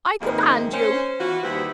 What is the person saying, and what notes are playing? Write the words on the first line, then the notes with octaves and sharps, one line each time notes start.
"I command you!"
F2 G#2 C3 D#3 A#3
C#4 C5
E3 B3 F4 F#4
D#2 G3 B3 E4 G4 C5